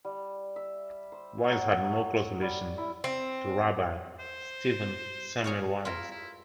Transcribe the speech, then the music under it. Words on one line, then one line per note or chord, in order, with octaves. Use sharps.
Wise had no close relation to Rabbi Stephen Samuel Wise.
G3
E5
C5
F#3
C#6
G3
E4
C4
C5
G#4 C#5 F5
E4 F4 A#4
E4